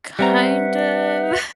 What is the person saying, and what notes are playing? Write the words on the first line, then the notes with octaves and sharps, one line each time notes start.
Kind of,
G3 C4 B4 E5 F#5 A#5